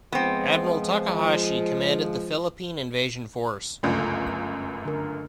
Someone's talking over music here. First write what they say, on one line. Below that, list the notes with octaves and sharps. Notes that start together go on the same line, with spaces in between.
Admiral Takahashi commanded the Philippine Invasion Force.
F3 G#3 B3 C4
G1 C#2 F#2 A3 F4
D3 A#4